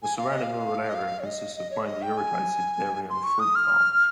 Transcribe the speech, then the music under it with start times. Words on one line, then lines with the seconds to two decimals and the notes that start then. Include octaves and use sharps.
The surrounding rural area consists of mainly irrigated dairy and fruit farms.
0.03 G#5
0.18 F5
0.31 D#5
0.43 F5
0.89 D#5
0.94 F5
1.20 C#5
1.25 D#5
1.56 D#5
1.71 C#5
1.87 D#5
2.02 G5
2.17 G#5
3.10 C6
3.24 C#6
3.40 D#6
3.55 F6